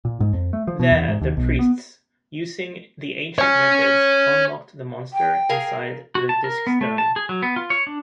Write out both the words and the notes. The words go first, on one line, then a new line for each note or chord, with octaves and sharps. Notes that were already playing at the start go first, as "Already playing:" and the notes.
There the priests, using the ancient methods, unlocked the monster inside the disc stone.
A#2
G#2
F2
A3
F3
B2
E2
G#2
D#2
B1
B3
C#5 G#5
G5
G#4 A#4 F5
F#4
A5
A#4
B3
A3
A5
G#4
F#3
B3
F4
C#5
D4